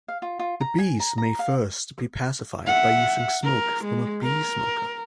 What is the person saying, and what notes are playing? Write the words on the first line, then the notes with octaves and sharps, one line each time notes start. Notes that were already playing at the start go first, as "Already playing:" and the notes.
The bees may first be pacified by using smoke from a bee smoker.
F5
F4
F4
A#5
G#5
A#5
A#5
F5
E5 F#5
A#4
G#3
A#4